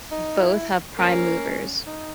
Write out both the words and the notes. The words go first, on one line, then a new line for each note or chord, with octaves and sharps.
Both have prime movers.
D#4
E4
A#3 C#4
D#4